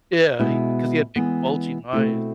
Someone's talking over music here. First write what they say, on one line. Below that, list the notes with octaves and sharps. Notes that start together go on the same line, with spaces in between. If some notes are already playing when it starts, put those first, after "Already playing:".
yeah, he 'cause he had big bulging eyes,
B2 G#3 B3 E4
E3 G#3 B3
B2 A3 C4 E4